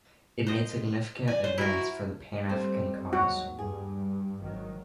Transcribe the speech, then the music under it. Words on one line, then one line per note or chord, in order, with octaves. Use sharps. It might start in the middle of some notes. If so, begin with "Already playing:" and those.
It made significant advance for the Pan-African cause.
C5 D#5
D5 G#5
C5 C#5
E4 F#4 A#4
G3 A3 C4 C5
D#2 G#2 F#3 D#4 F#4
G2 G#4
G#1 D#3 F#3